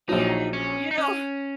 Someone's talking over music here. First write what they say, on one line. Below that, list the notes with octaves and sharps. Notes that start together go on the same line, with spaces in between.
And, you know,
A#1 A#2 F#3 D#4
C#4
D#4
C#4